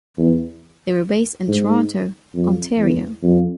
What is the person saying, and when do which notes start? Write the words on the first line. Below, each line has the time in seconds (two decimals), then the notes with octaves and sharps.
They were based in Toronto, Ontario.
0.18 E2
1.48 G#2
2.35 F2
2.79 E2
3.23 F2